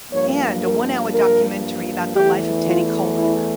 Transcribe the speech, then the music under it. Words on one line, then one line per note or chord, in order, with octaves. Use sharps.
And a one-hour documentary about the life of Teddy Kollek.
G2 F3 A#3 C#5
A#4
A#4
E2 E3 A3 G4
F4
E4